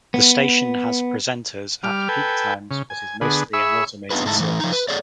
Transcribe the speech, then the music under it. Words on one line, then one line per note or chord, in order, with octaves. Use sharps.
The station has presenters at peak times but is mostly an automated service.
B3
G3 D6 F6
A4 B4 G5 G#5
C#3
G#5
D3 B3 G#4
G#4 E5 B5 C#6 E6
B3 D4 D#4 F4 G#4 B4
G#2 G#3 A3 D#4 E4 A5
A2 E3 A3
F3 D#4
B4
G#4 A4 C#5 D5